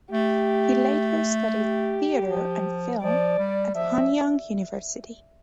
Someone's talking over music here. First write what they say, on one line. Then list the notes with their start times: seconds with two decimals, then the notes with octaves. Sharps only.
He later studied Theater and Film at Hanyang University.
0.11 A3 G4
1.57 G4
2.29 F3
3.01 F3 D5
3.39 G3
3.75 F3 E5